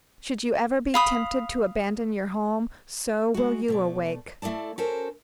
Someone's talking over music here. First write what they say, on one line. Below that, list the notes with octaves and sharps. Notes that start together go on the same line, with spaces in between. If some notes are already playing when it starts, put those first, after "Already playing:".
Should you ever be tempted to abandon your home, so will you awake.
F5 B5 D#6
G#3 F#4
B2 A3 D5
A3 E4 A4 D5 A5
C#4 F#4 A4 A#4 C5